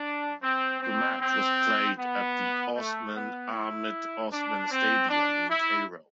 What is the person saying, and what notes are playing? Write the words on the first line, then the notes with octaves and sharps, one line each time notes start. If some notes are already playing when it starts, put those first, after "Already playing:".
The match was played at the Osman Ahmed Osman Stadium in Cairo.
Already playing: D4
C4
C4
C4
B3
A3
B3
E4
D4
C4
D4
E4